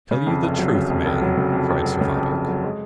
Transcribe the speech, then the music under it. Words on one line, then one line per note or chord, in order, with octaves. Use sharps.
"Tell you the truth, man!" cried Servadac.
C#3
F2
F1
F#3
C#3
F2
F1
F#3
C#3
F2
F1
F#3
C#3
F2
F1
F#3
G#3